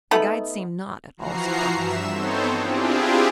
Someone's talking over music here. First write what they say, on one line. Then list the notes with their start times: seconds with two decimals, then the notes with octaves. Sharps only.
The guide seemed not at all surprised.
0.11 A3 B3 D#4 B5
1.17 E3 F3 F#4 A#5 C7
1.73 G2 E5 E7
2.11 B3 C4 D#4 A4 C5 C#5
2.57 C4 D4 E4 F4 G4 G#4